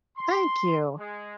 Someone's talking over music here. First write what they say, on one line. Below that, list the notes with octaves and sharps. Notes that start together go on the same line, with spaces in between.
Thank you!
C6
G#3